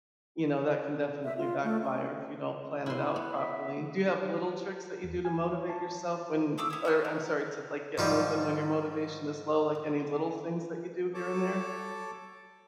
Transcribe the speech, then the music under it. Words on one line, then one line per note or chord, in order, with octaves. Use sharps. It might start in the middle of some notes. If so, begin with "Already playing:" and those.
you know, that can definitely backfire if you don't plan it out properly. Do you have little tricks that you do to motivate yourself when Or I'm sorry, to, like, get moving when your motivation is low? Like, any little things that you do here and there?
E5
F4
A3
C#4
E4 C6
B3
E5
E2
G#5
C#5
A5
A3 G#4 D6 E6
B3 E4
F#4 A4 B4
A#4
G#2 F3 G3
A4 C#5 A5 D6